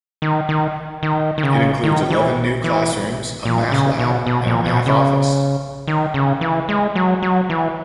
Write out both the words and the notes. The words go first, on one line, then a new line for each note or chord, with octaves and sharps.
It includes eleven new classrooms, a math lab, and a math office.
D#3
D#3
D#3
D#3
C#3
D#3
E3
E3
A#2
C#3
B2
B2
A#2
B2
C#3
D#3
C#3
E3
G#3
F#3
F#3
E3